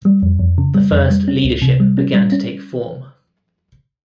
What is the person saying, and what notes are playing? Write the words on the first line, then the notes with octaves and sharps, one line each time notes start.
The first leadership began to take form.
G3
F2
F2
C#3
G3
F2
G3
C#4
C#2
C3
G3
C#4
G3
C#4